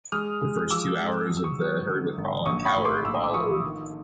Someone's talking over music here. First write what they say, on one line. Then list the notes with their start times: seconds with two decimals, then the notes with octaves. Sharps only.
The first two hours of "The Herd with Colin Cowherd" followed.
0.12 G#3 D#6 F6
0.41 G#3
0.70 F3 D6 E6
1.00 G#2
1.29 F#3 D#6
1.37 E6
1.44 C#6 D#6
1.59 F#3
1.88 D3
2.17 G#1
2.46 A#1 C#6 D#6
2.65 B5 C#6
2.76 A2
2.85 C6 D6
3.04 A#1 E6
3.15 D#6
3.24 D6
3.34 F3 C#6 D#6
3.64 D#3